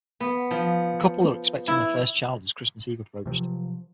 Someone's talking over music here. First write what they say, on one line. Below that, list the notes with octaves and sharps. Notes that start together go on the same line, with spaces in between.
The couple are expecting their first child as Christmas Eve approached.
B3
F3
E4
C3 F3 F#3